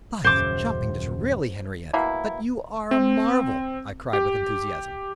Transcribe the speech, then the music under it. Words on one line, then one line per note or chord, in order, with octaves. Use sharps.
"By the jumping Disraeli, Henriette, but you are a marvel!" I cried, with enthusiasm.
D#1 F#2 C#3 C5 D6
B2 A#3 E4
C4
G4